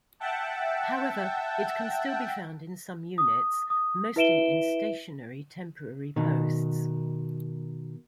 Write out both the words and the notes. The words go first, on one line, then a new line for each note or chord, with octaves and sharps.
However, it can still be found in some units, mostly in stationary temporary posts.
E5 F#5 G5 A5
D#6
D#6
E4 B4 E5 D7 E7 G7
B2 D#3